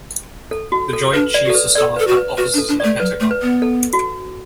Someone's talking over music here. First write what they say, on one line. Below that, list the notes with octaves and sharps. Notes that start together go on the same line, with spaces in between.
The Joint Chiefs of Staff have offices in The Pentagon.
A4
F#4
A4
D4 B4
D5
F#4
A4
B4
A4 D5
A4 B4
F#4
B4
F#4 B4
D4
A4
D4
A3 D5
F#3 B4
A3
B4
B3
A4
F#4